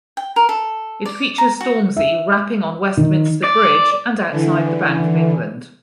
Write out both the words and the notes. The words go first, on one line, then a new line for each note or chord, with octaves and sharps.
It features Stormzy rapping on Westminster Bridge and outside the Bank of England.
G5
A#4
A4
D5
A#5
F#4
E5
D#3
D5
D3 E3